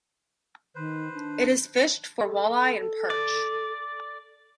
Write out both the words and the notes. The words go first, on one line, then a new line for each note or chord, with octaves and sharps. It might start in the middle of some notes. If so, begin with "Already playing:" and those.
It is fished for walleye and perch.
D#3 B4 C5
D4
A4
D5